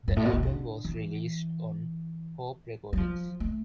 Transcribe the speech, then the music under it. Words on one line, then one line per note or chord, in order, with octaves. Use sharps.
The album was released on Hope Recordings.
G2
A2
B2
C3
D3
E3
G3
F3
A3